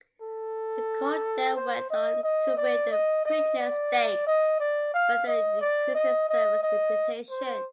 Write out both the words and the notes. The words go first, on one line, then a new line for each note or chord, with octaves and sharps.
The colt then went on to win the Preakness Stakes further increasing Servis' reputation.
A4
C5
D#5
D#5
D5
D#5
D#5
D5
D#5
D5
F5
D#5
D5
D#5
D#5
D#5
C5